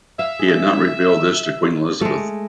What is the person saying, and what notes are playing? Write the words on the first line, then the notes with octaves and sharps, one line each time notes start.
He had not revealed this to Queen Elizabeth.
E5 F5
G#4
G#3 A3